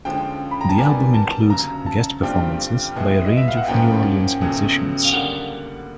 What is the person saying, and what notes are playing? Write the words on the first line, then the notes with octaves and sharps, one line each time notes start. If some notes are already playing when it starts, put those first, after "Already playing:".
The album includes guest performances by a range of New Orleans musicians.
D3 F3 G#3 C#4 G5
B5
A#5
A5
D#3 G3 B3 D4 G#5
A5
D2 C#3 F#3 A#5
A5
G2 D3 G3 C4 F4 G5
B2 G#3 B3 E4
D#5
E5
F5
F#5
G#2 F3 A#3 C#4 G5
C#2 B2 F#3 A3 C#4
F5
D3 G3 A#3 F#5